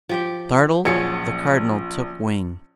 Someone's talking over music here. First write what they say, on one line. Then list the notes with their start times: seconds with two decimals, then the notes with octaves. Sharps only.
Startled, the Cardinal took wing.
0.09 F3 G4 G5
0.85 A#1 F3 F#3 C#4 F4 G#4 C#7